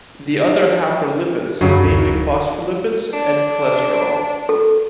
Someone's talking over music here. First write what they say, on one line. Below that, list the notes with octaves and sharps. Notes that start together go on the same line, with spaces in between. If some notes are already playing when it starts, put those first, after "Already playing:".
The other half are lipids, namely phospholipids and cholesterol.
F#2 C#3 F#3
D1
D4
A4